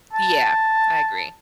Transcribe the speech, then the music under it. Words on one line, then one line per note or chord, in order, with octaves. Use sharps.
Yeah. I agree.
A5